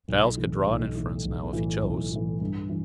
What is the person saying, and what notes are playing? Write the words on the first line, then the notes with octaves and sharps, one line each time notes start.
Giles could draw an inference now if he chose.
B1
A2 E3
B1
A2 E3
B1
A2 E3
B1
A2 E3
G2
E3